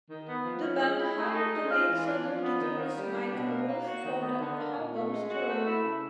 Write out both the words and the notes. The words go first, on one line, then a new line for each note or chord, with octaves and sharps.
The band hired the late Sodom guitarist Michael Wulf for the album's tour.
D#3
B3
F3
C#4
G#3
E4
A3
D#4
G#3
F4
E3
D4
F3
B3
D#3
A#3
G3
D4
B2
A#3
A#3
F#4
D#3
B3
D3
A#3
A#2
A3
G#3
F#4
A3
E4
C#3